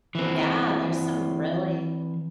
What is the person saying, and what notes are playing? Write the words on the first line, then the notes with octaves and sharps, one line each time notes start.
Yeah, there's some really
E3 C4